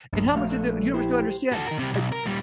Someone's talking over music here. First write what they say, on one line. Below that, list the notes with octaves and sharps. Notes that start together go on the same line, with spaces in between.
and how much of the universe do you understand, like
A#1 G2
C2 A3 F#4 F5
A#2 D3
E4 G4 C5
F#4 A4
D#3 A#4
C3 G3
B1
A#4
A#2 G3